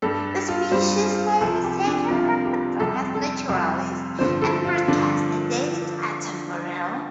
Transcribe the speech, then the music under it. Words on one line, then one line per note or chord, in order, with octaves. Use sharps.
The species name is taken from the famous naturalist and broadcaster David Attenborough.
G2 G3 A4
F4
G2 G3 C5
F4
C2 C3 F3 A4
G4
D4
C2 C3 F3 F4
G4
F2 C3 G3 A4
A4
F2 C3 G3
G2 D3 F3 C5
A4
F4
G2 D3 F3 D4